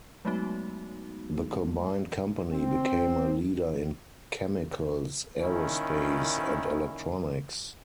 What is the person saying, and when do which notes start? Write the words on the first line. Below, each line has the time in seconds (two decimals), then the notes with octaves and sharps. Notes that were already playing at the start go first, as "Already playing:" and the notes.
The combined company became a leader in chemicals, aerospace, and electronics.
0.25 F#3 G#3 A3 B3 D#4 F#4
2.53 C4
5.41 A#2 D#3 C#4 E4